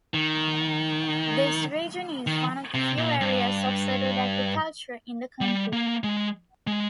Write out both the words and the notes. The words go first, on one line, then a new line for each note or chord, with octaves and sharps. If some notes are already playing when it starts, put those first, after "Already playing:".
This region is one of the few areas of settled agriculture in the country.
D#3
D#3
C3
A#2
G2
G3
A#3
G#3
G#3